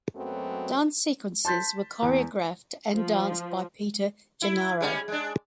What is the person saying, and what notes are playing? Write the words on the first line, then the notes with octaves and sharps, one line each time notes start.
Dance sequences were choreographed and danced by Peter Gennaro.
F#2 F#3 G#3 A3 B3 C4
A5 C6 G6 A6 B6
E2
F3
E4
G3 G#3 C#4
G#3 D4